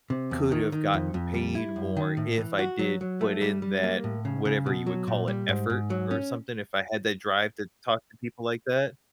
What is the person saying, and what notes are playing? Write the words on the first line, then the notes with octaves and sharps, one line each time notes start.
could have gotten paid more if I did put in that, whatever you would call it, effort, or something, if I had that drive to talk to people like that?
C3
E2
D#3
D#3
F2
F2
G3
E4
F#2
D#3
A2
E3
F#4
F#3
F#3
A3
G3
G3
A#3
A2
C#3
C#3
B2
F#3
A#2
G3
G#2
G#2
F#3
C#4